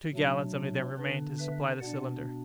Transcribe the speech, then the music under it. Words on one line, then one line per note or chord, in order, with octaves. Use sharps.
Two gallons only then remained to supply the cylinder.
B2 F#3 A3 D4
D3 B3 D4 B4
B4 E5
B2 B3 D4 D5 F#5